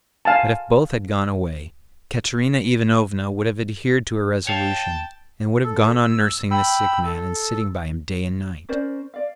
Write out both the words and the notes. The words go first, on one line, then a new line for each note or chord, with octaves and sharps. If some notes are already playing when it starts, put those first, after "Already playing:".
But if both had gone away, Katerina Ivanovna would have adhered to her resolution, and would have gone on nursing the sick man and sitting by him day and night.
F5 G#5 A5
C#5 F5 G5 A5
A4
E6
G5 B5 E6
A4
C#4 A#4 C5 D5
D5 F5